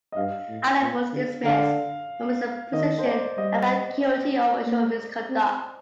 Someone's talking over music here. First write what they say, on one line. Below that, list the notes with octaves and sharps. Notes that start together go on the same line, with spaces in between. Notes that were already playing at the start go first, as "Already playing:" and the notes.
Allen was dismissed from his position and found guilty of official misconduct.
D#5
G2 F5
A2
A#2
D3
D3 F5
D#3 D#5
C5
D5
G3 D#5
A#3
C4